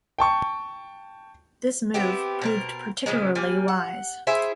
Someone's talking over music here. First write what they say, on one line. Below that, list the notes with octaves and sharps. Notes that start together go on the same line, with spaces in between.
This move proved particularly wise.
G5 A5 C#6
B3 C4 E4 G4
B2 C4 A#4
A#2 C#3 F3 G#3
G3 A#3 G#5
F#5
E4 G#4 C5 E5